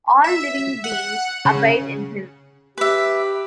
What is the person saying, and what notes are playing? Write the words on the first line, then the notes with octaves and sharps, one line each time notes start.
All living beings abide in Him.
E5
F#5
C#3
G4 B4 E5